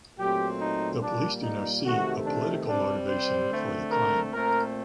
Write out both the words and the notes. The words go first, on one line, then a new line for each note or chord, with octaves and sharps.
The police do no see a political motivation for the crime.
A#2 F#3 A3 C4 G4
D#4
A#2 G3 A#3 D4
D#4
C3 D#3 A3 F#4
D4
C3 G3 C4 D4
C5
D3 A3 C4
A#4
A#2 A3 C4 A#4